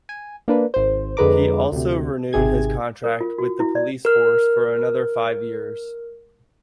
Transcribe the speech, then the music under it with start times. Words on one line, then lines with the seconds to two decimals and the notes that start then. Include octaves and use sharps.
He also renewed his contract with the Police Force for another five years.
0.09 G#5
0.48 A#3 D4 B4
0.74 G#1 C5
1.17 F2 D3 G#3 B4 A#5 D6
1.72 D2 C3
2.33 G#1 C3 G#4 G#6
3.04 A#4
3.21 F4
3.38 F#4
3.60 E4
3.75 D5
4.05 A#4 F6